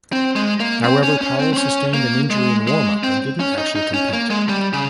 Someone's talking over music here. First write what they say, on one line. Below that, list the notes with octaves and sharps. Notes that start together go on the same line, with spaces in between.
However, Powell sustained an injury in warm up and didn't actually compete.
C4
G#3
A#3
C4
C#4
C#4
C4
C4
C#4
A#3
G#3
G#3
C4
C#4
D#4
D#4
C#4
A#3
G#3
G3
C#3